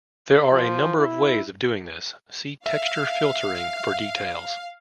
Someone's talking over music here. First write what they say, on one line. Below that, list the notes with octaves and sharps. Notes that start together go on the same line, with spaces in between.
There are a number of ways of doing this; see "texture filtering" for details.
F3
E4
E5 F5